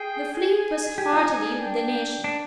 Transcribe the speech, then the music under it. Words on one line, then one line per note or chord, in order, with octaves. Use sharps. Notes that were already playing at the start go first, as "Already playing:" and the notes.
The fleet was heartily with the nation.
Already playing: G#4 G5
G#5
G4 G#5
F4
D#4
D4
G5
D4